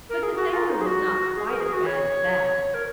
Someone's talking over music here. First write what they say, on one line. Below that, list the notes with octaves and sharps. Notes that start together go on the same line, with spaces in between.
But the sailor was not quite as bad as that.
A#4
G#4
F#4
F4
D#4
G#4
F#4
G#4
A#4
G#4
F#4
C#5
A#4